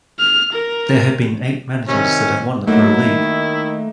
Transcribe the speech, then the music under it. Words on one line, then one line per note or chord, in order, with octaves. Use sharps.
There have been eight managers that have won the Pro League.
F6
A#4
C3 D#3 C#4
F#3 A3 A#3 D#4 E4 F#4
D#3